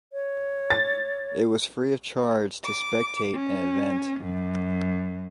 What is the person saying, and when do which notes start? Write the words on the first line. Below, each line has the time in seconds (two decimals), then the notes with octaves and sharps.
It was free of charge to spectate an event.
0.13 C#5
0.70 A6
2.65 D6
3.34 C#4
4.20 F#2